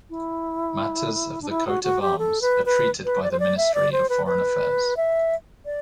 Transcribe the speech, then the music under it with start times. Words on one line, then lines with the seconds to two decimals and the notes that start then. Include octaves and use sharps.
Matters of the coat of arms are treated by the Ministry of Foreign Affairs.
0.10 E4
1.42 D4
1.50 E4
1.67 F#4
1.84 F#4
2.01 G4
2.18 A4
2.41 B4
2.66 B4
3.05 B4
3.23 D5
3.32 C5
3.40 D5
3.57 E5
3.74 D5
3.92 C5
4.09 B4
4.26 B4
4.97 E5
5.66 D5